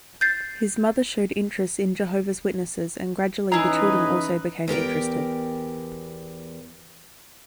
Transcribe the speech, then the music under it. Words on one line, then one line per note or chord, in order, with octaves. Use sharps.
His mother showed interest in Jehovah's Witnesses and gradually the children also became interested.
G6 A6 C7
E3 C#4 D#4 E4 G#4 B4 A#5
E2 G4 A#4 G5